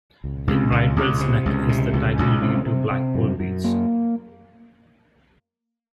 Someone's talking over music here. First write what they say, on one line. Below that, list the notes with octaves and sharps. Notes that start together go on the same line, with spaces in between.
In Bridewell's neck is the title deed to Blackpool Beach.
C#2
C#2
C#2
C#2
C3
C#2
C3
C#2
C#2
C3
C3
C3
F#2
F#2
A#3